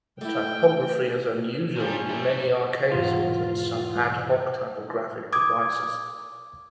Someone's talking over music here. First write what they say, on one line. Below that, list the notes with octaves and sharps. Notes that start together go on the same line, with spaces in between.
The typography is unusual, with many archaisms and some ad hoc typographic devices.
A3 E4 F#4 D5 G5
C3 F3 G3 A#3 C#4 F4 C#5
G2 G3 A4 E5
E2 G#2 B2 F4
D6 D#6 G#6